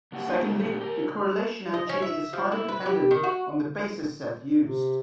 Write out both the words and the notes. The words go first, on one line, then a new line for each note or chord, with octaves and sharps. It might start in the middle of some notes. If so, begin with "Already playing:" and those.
Secondly the correlation energy is highly dependent on the basis set used.
C#3 A#3 G4 F#5
C#3 F3 A3 B3 D#4 G#4
A#2 D3 G#3 B3 G4
G4 A#4
D#5
C#4
E5
F3
E4
B4
G4
D#3
F#4
C3